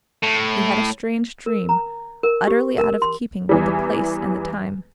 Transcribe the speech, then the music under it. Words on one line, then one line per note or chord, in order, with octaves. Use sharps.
He had a strange dream, utterly out of keeping with the place and the time.
A2
A#4
A#5
A#4
G4
A#4
C6
E2 E3 G3